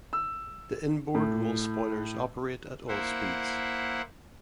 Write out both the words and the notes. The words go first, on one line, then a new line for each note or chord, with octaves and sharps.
The inboard roll spoilers operate at all speeds.
E6
A2
A#3 E4 C5 E5 F#5